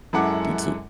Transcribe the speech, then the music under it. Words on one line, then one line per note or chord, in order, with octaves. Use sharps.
You, too.
F#2 G#3 E4 A4 F#5 D6